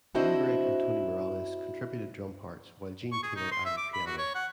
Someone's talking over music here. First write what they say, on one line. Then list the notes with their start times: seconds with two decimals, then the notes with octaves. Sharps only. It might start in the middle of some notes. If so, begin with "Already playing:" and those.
Bonebrake and Tony Morales contributed drum parts, while Gene Taylor added piano.
0.14 C4 D4 E4 F#4 C5 D#5
3.11 C#6
3.23 G#4
3.36 D#4
3.51 C6
3.65 E5
3.77 D6
3.93 B5
4.06 F#4
4.18 C#5
4.35 F#5